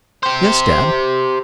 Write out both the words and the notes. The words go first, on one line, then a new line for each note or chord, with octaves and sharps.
"Yes, dad."
G4 C5